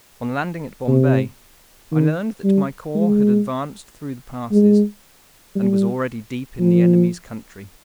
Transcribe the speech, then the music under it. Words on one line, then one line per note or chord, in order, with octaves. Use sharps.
On landing at Bombay, I learned that my corps had advanced through the passes, and was already deep in the enemy's country.
C3
D#3
G3
G#3
G#3
G3
F3